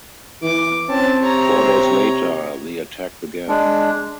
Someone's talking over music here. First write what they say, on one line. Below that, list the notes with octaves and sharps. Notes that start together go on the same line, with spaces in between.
Four days later, the attack began.
E3 D6
C4 C#4 A5
C3 C#5 A#5
G#3 D4